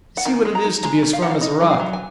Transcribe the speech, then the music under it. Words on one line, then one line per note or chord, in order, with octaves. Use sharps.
You see what it is to be as firm as a rock!
F#5
D#3 G#5
G#3
A#5
D#4
G#3 A#5
D#3
F5
D#3 F#5
F5
D#4 D#5
F#3
F5
F#3
G#5